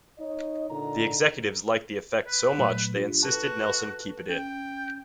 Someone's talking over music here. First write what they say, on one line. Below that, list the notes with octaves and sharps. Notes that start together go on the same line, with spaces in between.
The executives liked the effect so much, they insisted Nelson keep it in.
D#4 C#5 D#5
A#2 D3 D#4 A#5
B4
A#2 F#3 A3
D4 F4 G4
F#4 A4 B4 A5
C#4 G5